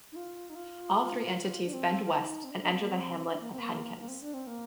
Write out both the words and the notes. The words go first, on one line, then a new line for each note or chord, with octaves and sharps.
All three entities bend west and enter the hamlet of Hankins.
D#4
F4
D#4
F4
D4
C4
F4
D#4
C4
D4
D4
C4
A#3
C4
D4
A#3
C4
A#3
A#3
C4
D4
C4
A#3